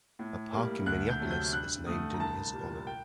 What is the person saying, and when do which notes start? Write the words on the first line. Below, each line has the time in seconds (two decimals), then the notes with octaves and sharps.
A park in Minneapolis is named in his honor.
0.19 A2
0.53 G3 A#3
0.86 D2 F#6
1.09 G6
1.20 C3 F#3 A3
1.31 G6
1.53 G2 F#6
1.86 D3 A3 D#6
2.14 A#5
2.20 C2 A5
2.53 A#2 G3
2.87 G5